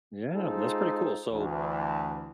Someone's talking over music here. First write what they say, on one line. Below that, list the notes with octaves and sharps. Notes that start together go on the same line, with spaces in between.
Yeah, that's pretty cool. So
G#3 D#4 F4 A4 C5
D2 E3